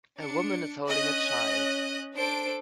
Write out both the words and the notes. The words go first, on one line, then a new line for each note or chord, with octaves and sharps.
A woman is holding a child.
D4 C#7
C#4 D#5 F#6
D4 A4 C5 D7